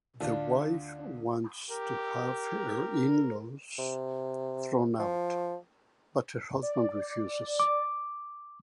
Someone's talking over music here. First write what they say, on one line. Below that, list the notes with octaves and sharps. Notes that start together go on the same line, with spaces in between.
The Wife wants to have her in-laws thrown out, but her husband refuses.
D2 D4 F4
G4 A#4
C3
F3
D5
D6